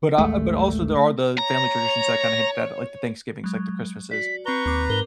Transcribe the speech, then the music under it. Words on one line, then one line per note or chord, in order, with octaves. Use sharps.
But, uh but, also, there are the family traditions that kinda hit that like the Thanksgivings, like the Christmases
A1 D#2 G#3 A3
C#5 A#5
F#3 G#3
F#4 D5 B6
C4 B4 A#5 C#6 G7
D#2 C4 D6
G#2 A#4 G7